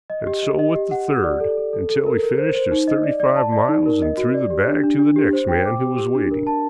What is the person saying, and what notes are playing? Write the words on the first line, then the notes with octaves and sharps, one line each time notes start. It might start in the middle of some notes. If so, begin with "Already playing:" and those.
And so with the third, until he finished his thirty-five miles and threw the bag to the next man, who was waiting.
D#5
G4
D#5
D#5
G4
F#5
G4
D5
A4
A4
A4
A4
A#4
A#4
C5
C5
D#4
D#5
D5
D5
A5
D5
D#4
A#4
D#5
F#4
D5
G4
D4
D4
D4
G4
C5
G5
D6
G4
G4
D4
A#4
A5